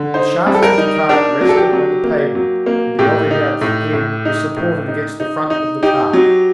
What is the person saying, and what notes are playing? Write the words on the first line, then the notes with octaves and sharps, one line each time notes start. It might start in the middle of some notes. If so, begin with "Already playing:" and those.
The shafts of the cart rested on the pavement, and the Auvergnat's head was supported against the front of the cart.
Already playing: D3
D#4 C5
G3
A4
A#4
D#4
D4 A#4
F#3
A4
G4
F#3
A#3
F#3
A#3
A2 G4
D#4
A2
A2
D#4
A2
D#4
D#4
D#4
D#4 G4
F#3